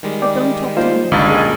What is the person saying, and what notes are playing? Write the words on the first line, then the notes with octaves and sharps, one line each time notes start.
But don't talk to me of it.
D#3 G3 G#3
D5 G5 D6
A#3 D#4 F4 C5
G1 C#2 G2 D3 D#4 B5 A6
A#2 G#4 D#5